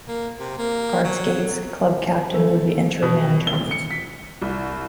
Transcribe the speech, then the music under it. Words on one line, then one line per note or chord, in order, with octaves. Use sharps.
Garth Scates, Club captain would be interim manager.
A#3
C3
A#3
F#3
A3
B2
G7
C#7
B6
C2